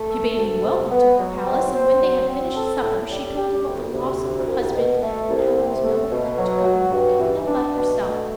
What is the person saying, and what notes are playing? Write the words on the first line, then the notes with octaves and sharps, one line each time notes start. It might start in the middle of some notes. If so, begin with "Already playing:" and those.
She bade him welcome to her palace, and when they had finished supper she told him of the loss of her husband, and how there was no one left to govern the kingdom but herself.
Already playing: A3
A4
D2
C3
B3
F#3
C4
C5
F#3
C4
A4
A2
G3
G4
D2
C3
D2
C2
B2
A3
C2
C3
A3
B2
F#3
F#4
G2
E3
D4
B2
A3